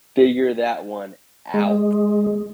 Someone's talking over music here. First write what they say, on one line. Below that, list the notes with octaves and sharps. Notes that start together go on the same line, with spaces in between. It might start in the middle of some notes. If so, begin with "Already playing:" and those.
figure that one out.
G#3